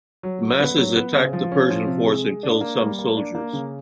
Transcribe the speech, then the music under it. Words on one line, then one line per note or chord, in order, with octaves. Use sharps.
The masses attacked the Persian force and killed some soldiers.
F#3
F#3
B3
F#3
B3
C#3
F3
C#4
F3
C3
G#3
G#3
D4
A#3
G3
A#3
D4
A#3
C#3